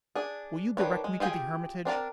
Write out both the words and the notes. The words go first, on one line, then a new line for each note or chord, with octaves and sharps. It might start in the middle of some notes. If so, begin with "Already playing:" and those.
'Will you direct me to the Hermitage?
D4 G#4
D#3 F3 D4 B4 C#5
G#3
F4 G4 G#4 G5 G#5
C4 D4 A#4 A5